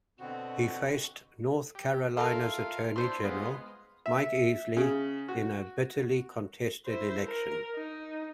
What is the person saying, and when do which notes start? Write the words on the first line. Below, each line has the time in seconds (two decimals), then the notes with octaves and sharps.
He faced North Carolina's attorney general, Mike Easley, in a bitterly contested election.
0.19 B2 D3 C4 F#4
1.75 G4
2.17 F4 A4 A#4 E5 F5
2.96 D4 E4 C5 C6
3.24 G#3 B3 F4
4.06 E5
4.77 C#3
5.28 F#4
6.86 E4 C5
7.27 A#4
7.76 D#4